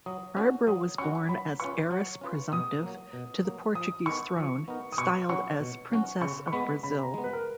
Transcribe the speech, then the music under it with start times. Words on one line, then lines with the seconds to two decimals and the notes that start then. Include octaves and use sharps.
Barbara was born as heiress-presumptive to the Portuguese throne, styled as Princess of Brazil.
0.06 F#3 D#6
0.37 C#4 F#4
0.67 F#3 D#6
0.98 C#4 F#4 C#6
1.29 F#3 B5
1.60 C#4 F4 B4 C#6
1.91 F#3
2.21 C#4 F4 B4
2.52 B2 D#6
2.83 F#3 A#3
3.13 B2
3.45 F#3 A#3
3.75 F3 D#6
4.06 B3 D#4 A#4 C#6
4.37 F3
4.68 B3 D#4 A#4
4.92 D#6
4.98 B2 C#6
5.29 F#3 C#4 F#4 C#6
5.60 B2
5.91 F#3 C#4 F#4
6.21 C#3 C#6
6.47 C#6
6.52 G#3 B3 B5
6.83 C#3 B5
7.03 A#5
7.14 G#3 B3
7.24 B4
7.33 A#4